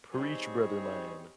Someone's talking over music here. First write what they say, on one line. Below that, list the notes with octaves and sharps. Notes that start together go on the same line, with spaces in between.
preach, brother man.
G3 B3 C4 D#4 G#4 C#5